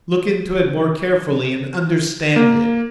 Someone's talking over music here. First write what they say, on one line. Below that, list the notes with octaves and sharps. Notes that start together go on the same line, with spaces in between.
Look into it more carefully and understand it!
A#3